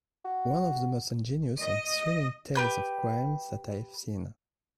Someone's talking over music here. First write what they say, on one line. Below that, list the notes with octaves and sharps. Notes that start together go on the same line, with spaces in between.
One of the most ingenious and thrilling tales of crime that I have seen.
F#4
D#5
G4 B4 G6